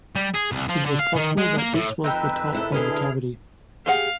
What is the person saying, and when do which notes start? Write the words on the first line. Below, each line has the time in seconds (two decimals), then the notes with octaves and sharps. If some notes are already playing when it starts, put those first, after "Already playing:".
It was possible that this was the top of the cavity.
0.16 G3
0.35 G#4
0.52 C2
0.69 F3
0.86 D3
1.00 F5
1.16 D#3
1.38 G#3
1.58 A#3
1.74 A2
2.04 F2 D#4 A#4 B4 G5 E6
2.53 C3 E4 A4
2.72 D3 E4 G#4 A4 B4 F6
3.86 G4 G#4 F5 F#5